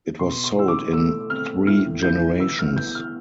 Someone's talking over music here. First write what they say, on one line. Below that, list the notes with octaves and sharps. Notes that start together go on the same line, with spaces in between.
It was sold in three generations.
B2 C6
C6
E4 E6
D6
A3 E6
C4 F6
A2 F6
E4 G6
E3 E6
F6
B3 G6
F6